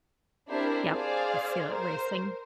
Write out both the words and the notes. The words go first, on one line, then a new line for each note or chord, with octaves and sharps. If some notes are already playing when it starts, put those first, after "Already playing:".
Yep. You feel it racing?
C4 D4 E4 G4 A#4 C5
G#4 C5 D5 F5
A#4 C5